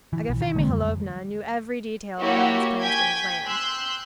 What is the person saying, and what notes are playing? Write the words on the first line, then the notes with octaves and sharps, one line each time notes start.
Agafea Mihalovna knew every detail of Levin's plans for his land.
E3
B1
D#3
D3 E3 G#3 A#3
F2 G3
A#3 E4 F#4 G4 C#5
G5 G#5 G#6 B6
C6 E6 F#6 G6